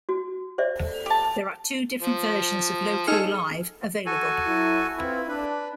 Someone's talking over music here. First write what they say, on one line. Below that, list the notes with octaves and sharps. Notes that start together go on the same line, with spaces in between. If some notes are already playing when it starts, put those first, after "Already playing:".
There are two different versions of "Loco Live" available.
F#4
C5 D5 E5
G4 A5
F3
D#4 G#4 A4 F6 C#7
F#4 A4 G#5
F#3 E4
C4 E4 F4 B4
D4 B4